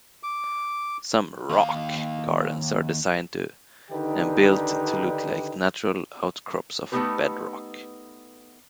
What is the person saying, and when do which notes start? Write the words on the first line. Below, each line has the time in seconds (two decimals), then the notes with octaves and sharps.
Some rock gardens are designed and built to look like natural outcrops of bedrock.
0.23 D6
1.50 D#2 F5
3.91 D3 D#3 D4 D#4 G4 B4
6.92 A3 B3 C#4 D#4 G4 B4